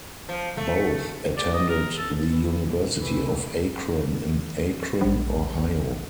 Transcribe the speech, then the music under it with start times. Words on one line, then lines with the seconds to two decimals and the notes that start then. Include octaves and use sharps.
Both attended the University of Akron, in Akron, Ohio.
0.29 F3
0.57 A3
1.38 D5
1.54 D#5
1.69 A#4
1.98 A4
2.31 E3
2.65 A#1
2.97 C2 E3
5.01 A#1